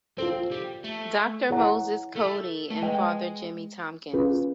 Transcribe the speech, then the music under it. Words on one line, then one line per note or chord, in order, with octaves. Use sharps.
Doctor Moses Coady and Father Jimmy Tompkins.
C4 F4 A4 C5
G3
A3
E4 G#4 C#5 F#5 A#5
A3
A3
G#3 B4 D#5 G5
C#4 F4 G#4 B4